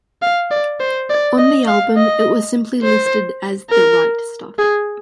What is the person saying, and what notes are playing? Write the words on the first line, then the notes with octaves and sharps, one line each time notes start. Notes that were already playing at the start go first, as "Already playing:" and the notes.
On the album, it was simply listed as The Right Stuff.
F5
D5
C5
D5
D#5
F5
D#5
C5
A#4
G#4